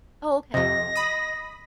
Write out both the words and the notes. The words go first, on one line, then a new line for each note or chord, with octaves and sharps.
Oh, okay,
F2 C3 D#5 A#6
B5 D#6